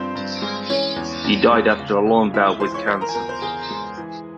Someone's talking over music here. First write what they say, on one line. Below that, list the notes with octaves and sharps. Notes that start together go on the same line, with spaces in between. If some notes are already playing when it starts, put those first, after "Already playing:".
He died after a long bout with cancer.
Already playing: G2 F3 C4 C5
G2
G#3
E3 C#4 C#5
E2
E2
G#3
C#3
C#2
G#3 E4 E5
E3 C5 C6
C#5 C#6
E3 C5 C6
A#4 A#5
G#5
E2 A#4 A#5
C5 C6
E2 G#4 G#5
G#3
E3